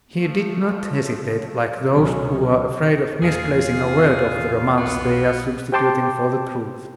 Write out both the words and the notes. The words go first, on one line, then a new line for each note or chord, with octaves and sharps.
He did not hesitate like those who are afraid of misplacing a word of the romance they are substituting for the truth.
F3 A3
C#2 B2 D#3 F#3 C#4
E2 A#2 F4 G#4
B1 B3
G4 C5 G5 A5 C6 D6